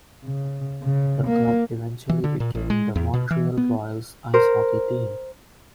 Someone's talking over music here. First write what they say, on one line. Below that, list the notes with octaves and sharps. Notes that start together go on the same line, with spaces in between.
The club eventually became the Montreal Royals ice hockey team.
C#3
C#3
A#3
E3
D3
A#2
A1
G#3
E2
B2
E3
B3
A#4 C5